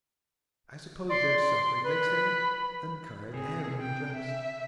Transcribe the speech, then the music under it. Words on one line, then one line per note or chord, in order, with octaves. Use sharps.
I suppose their suffering makes them unkind and unjust.'
D5 C6
B4 B5
C3 G#4
G5
E5